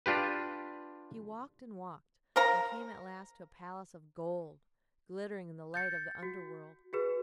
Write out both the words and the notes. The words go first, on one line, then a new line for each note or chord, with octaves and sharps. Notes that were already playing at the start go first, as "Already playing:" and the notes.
He walked and walked, and came at last to a palace of gold, glittering in the light of the underworld.
D4 F4 G4 B4
A#4 C5 F5 A#5
G6 A6 C#7
F#4
F#4 G#4 B4